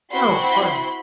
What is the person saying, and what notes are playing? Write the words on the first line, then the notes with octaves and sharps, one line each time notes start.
Oh, for
C4 E4 F#4 B5 C6